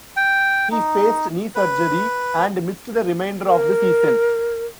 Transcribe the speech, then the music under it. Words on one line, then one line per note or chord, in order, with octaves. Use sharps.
He faced knee surgery and missed the remainder of the season.
G5
D#4
B4
A#4